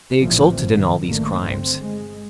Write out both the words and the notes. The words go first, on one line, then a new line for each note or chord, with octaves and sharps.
They exulted in all these crimes.
A1 A#2 D3 E3 F3 C4
G2 A#2 D#3
A1 F#2 D3 D#3 A3 A#3
G1 C4
G#3